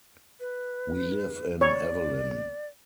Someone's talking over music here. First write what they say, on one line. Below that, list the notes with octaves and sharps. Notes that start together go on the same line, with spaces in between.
We live in Evelyn.
B4
C#5 D5